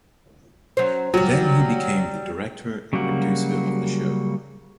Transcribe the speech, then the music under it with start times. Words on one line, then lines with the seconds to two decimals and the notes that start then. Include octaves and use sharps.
Then he became the director and producer of the show.
0.77 F#3 C#4 C5
1.14 F#3 G3 F#4
2.93 C#3 F#3 G3 A#3 F#4